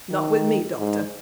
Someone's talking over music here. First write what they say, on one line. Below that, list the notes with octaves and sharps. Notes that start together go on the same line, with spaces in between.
'Not with me, Doctor.
D#3
G#2